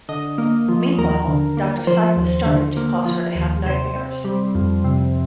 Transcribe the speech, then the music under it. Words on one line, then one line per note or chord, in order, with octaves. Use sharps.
Meanwhile, Doctor Psycho started to cause her to have nightmares.
D3 D#5
A#3
F3
D#2 A#4
D3
A#3
F3 C5
D#2
D3
A#3
F3
D#2
C3 C5
C4
G3
F2
C3